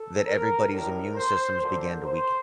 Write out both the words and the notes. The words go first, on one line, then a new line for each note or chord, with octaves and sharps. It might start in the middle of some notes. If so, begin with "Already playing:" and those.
that everybody's immune systems began to weaken.
Already playing: A4
A#4
A1 A2 G3 A#4
C5
D2 D3 F3 A#4
C5